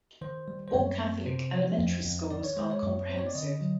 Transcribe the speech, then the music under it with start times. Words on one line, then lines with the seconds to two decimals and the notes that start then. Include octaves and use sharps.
All Catholic elementary schools are comprehensive.
0.21 D#3 C5
0.48 G3
0.68 C5
0.74 F#2 C#5
1.00 C4
1.26 C3 C5
1.52 F3
1.79 F2
2.05 F2
2.30 D#3 D5
2.44 C#5
2.57 G#3 C5
2.71 C#5
2.82 F#2
3.09 C4 C5
3.19 C#5
3.27 D5
3.35 D3 D#5
3.61 F#3